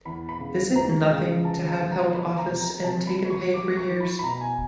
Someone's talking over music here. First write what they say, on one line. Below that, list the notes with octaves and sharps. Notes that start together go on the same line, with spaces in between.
Is it nothing to have held office and taken pay for years?
E2 B5
B5
C#3
C#2 A#5
C#3
F3 A5
A5
B1
A#5
E3 B5
A#5
C3
A#5
C3 A5
B5
F3
C#6
G3 D6
C#6
E3
B5
B5
B2 A#5
G#5